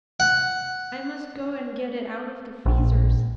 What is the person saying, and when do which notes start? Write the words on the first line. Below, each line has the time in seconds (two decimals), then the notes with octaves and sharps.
I must go and get it out of the freezers.
0.20 F#5
2.66 A#1